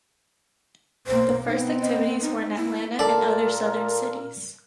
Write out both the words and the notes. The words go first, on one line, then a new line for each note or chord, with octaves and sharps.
The first activities were in Atlanta and other Southern cities.
B1 A#3 C5
B3 C4 D#4
D#5
D#4
A#3 E4
A#2 A4 A#4 D5